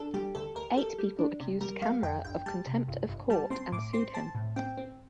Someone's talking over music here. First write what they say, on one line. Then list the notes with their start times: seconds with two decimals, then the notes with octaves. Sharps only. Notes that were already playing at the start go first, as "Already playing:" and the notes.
Eight people accused Kamra of contempt of court and sued him.
Already playing: D4 A4
0.14 G3 G4
0.35 D2 A4
0.55 D2 A#4
0.77 G3 A4
0.99 G3
1.19 D4
1.40 C3
1.61 G3 A#4
1.82 G3 F5
2.03 F2 G5
2.24 G1 G5
2.46 G3 A5
2.67 C3
2.88 G1
3.09 G1
3.30 G3 A5
3.50 C4 C6
3.72 A2 D6
3.93 C4 C6
4.14 C4 A5
4.35 A2
4.56 C4 G5
4.77 C4